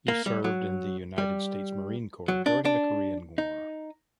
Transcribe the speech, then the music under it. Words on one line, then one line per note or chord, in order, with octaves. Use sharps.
He served in the United States Marine Corps during the Korean War.
A#3
G3
F#3
G3
F#3
D4
D4
D#4